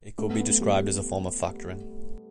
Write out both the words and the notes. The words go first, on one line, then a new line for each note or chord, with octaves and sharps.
It could be described as a form of factoring.
A3
B3
B3
A3
G3